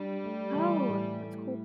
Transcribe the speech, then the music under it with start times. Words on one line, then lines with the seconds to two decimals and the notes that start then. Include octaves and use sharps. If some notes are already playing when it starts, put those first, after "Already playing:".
Oh, that's cool.
Already playing: G3 D4
0.24 A3
0.56 E3
0.88 A2
1.20 A3